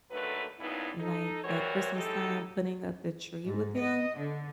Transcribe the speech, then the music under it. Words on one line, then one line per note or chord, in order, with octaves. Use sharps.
like, at Christmas time, putting up the tree with him,
D#2 D3 F#3 A3 B4
G2 A#2 C#3 B3 D#4 E4
D#4 A4
E3 G3 F#4 A#4 C5 C#5
A2 G#3 D#4 G4 A4
G#2
D#5
D3